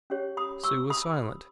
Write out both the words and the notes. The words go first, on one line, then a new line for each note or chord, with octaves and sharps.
Sue was silent.
C#4 G4 C#5
B5 D#6
C#6 E6
B5 D#6